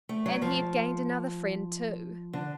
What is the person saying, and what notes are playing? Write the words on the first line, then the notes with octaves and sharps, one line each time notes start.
And he had gained another friend, too.
A3
F#3
F3
D3